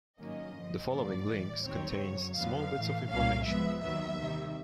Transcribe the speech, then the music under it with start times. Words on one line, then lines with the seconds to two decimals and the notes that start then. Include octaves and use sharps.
The following links contains small bits of information.
0.20 G#2 D#3 F#3 A#3 C#4 D#5
0.56 G2 D3 F3
0.92 G2 D3 F3 A#3 D5
1.28 A2 E3 G3
1.64 D#2 D#3 G3 C4 C#5
2.00 F#2 C#3 F#3
2.37 F2 D3 F#3 B3 F5
2.73 A2 E3 A3
3.09 C2 A#2 G3 A#3 C#4 F5
3.45 G#2 F3 G#3 B3 E5
3.81 D#2 D#3 F#3 B3 E5
4.17 C3 D#3 G3